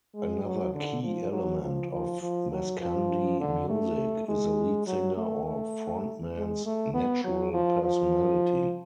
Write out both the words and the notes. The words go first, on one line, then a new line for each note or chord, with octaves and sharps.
Another key element of Maskandi music is the lead singer or frontman's natural personality.
G#3
F#3
D3
F3
F#3
F3
F3
F3
F#3
F3
D3
A3
G#3
F#3
A3
A3
G#3
A3
B3
F#3
F3
F3